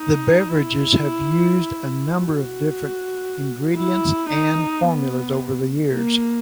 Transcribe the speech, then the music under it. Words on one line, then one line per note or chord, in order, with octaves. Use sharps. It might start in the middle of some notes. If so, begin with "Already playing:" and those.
The beverages have used a number of different ingredients and formulas over the years.
Already playing: D#4
E4
F#4
E4
D#4
B3
A#3